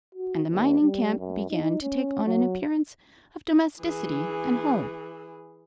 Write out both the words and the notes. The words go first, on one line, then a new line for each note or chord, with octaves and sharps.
And the mining camp began to take on an appearance of domesticity and home.
F#4
D#2
G3
F#2
D#4
C#4
F#3
E3 G#4